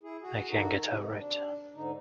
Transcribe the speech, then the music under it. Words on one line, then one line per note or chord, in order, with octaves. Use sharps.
I can’t get over it.
E4 G#4
F#4 G#4
D#3 D#4 F#4 A4
C3
D4
G#2 D3 D#4